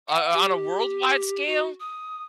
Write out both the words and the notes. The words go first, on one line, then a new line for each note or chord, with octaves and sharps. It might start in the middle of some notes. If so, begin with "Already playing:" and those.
Wha o on a worldwide scale,
F#5
G4
F#4
D#6